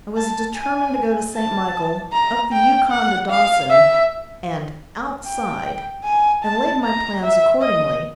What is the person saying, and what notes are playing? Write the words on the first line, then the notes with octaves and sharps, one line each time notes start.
I was determined to go to St. Michael, up the Yukon to Dawson, and "outside," and laid my plans accordingly.
A5
G#5
A5
A#5
G5
F#5
F5
E5
G5
G#5
A5
A#5
E5
D#5